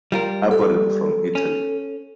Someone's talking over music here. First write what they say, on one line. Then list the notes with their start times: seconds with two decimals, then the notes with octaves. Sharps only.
Aborym from Italy.
0.12 G3 F4 A#4
0.51 A4
1.35 C#4